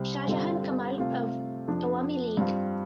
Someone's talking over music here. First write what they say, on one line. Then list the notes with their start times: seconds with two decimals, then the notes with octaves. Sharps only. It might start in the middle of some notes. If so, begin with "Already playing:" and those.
Shahjahan Kamal of Awami League.
Already playing: C2 C3 G3 C4
0.28 G2 D3 G3 C4 F4
0.98 C3 A3 C4 F4
1.68 F2 F3 D4
2.37 G2 G3 C4 F4